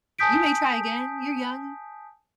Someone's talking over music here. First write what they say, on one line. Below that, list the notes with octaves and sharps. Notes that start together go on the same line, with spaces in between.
You may try again, you're young.
G#5 A5 D#6 G6 B6 D7